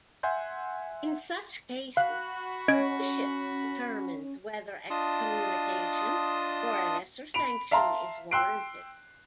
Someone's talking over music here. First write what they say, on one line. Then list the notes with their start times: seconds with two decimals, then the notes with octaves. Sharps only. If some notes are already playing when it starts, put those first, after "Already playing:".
In such cases, a bishop determines whether excommunication or a lesser sanction is warranted.
0.23 E5 F#5 G#5 C6 G6
1.97 F#4 F5 B5 F#6
2.68 C#4 D#5 G#6 D7
4.90 D4 F4 D#5 A5 C6 D#6
7.34 B5 D7 F7
7.71 E5 F5 A5 A#5 C6
8.31 G5 C6 E6 F#6 C7 D7